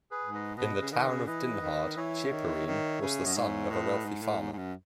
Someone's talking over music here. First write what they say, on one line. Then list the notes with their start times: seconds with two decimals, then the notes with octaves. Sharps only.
In the town of Dinhard, Ceporin was the son of a wealthy farmer.
0.11 G#4 B4
0.23 G#2
0.34 B4 D#5
0.57 B2 B4 D#5
0.81 C#3
0.92 D#3 B4 D#5
1.09 C#3
1.27 E3 B4 D#5
1.61 D#3
1.96 E3 C#5 E5
2.25 C#3
2.32 D#3
2.66 D#3
3.01 C#3
3.25 F#2 D#5
3.36 G#2 C#5 E5
3.70 A2 B4 D#5
4.05 G#2
4.22 A2
4.40 G#2
4.53 G#2
4.58 F#2